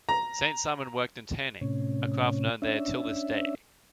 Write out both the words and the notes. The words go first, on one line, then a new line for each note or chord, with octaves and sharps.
Saint Simon worked in tanning, a craft known there till this day.
A#5
A2 C3 C#4
C#4 D4 E5